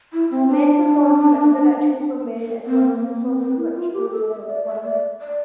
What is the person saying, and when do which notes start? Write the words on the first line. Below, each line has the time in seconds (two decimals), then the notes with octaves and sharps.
Men performed the ritual for men, and women performed the ritual for women.
0.13 E4
0.31 C4
0.49 D4
2.66 C4
2.93 A#3
3.21 C4
3.39 C4
3.56 E4
3.76 F4
3.93 G4
4.12 A4
4.30 E5
4.48 D5
4.66 E5
4.84 D5
5.21 D5